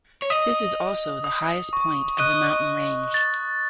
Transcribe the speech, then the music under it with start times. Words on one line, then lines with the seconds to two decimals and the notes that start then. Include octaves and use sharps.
This is also the highest point of the mountain range.
0.22 C#5
0.30 D#5 D#6
1.24 D#6
1.73 C#6
2.19 D#5 F#6
3.14 A6